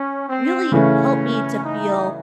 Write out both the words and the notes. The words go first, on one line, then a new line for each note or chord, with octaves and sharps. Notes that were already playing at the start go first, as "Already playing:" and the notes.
really helped me to feel
Already playing: C#4
C4
C#3 E3 A3 C#4
D#4